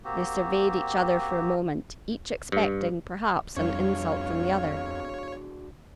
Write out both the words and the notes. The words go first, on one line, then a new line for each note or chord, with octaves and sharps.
They surveyed each other for a moment; each expecting, perhaps, an insult from the other.
A#3 C4 F#4 G4
G2
F2 G3 D4 F#4 G#4 C#5 F5